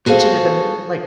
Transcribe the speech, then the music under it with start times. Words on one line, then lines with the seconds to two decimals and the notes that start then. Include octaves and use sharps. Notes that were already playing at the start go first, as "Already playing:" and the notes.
pitching at them, like,
0.06 F#4 G#4 A4 C5 F5